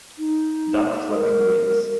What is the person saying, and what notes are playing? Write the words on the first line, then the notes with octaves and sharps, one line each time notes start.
Duck flapping wings.
D#4
A#4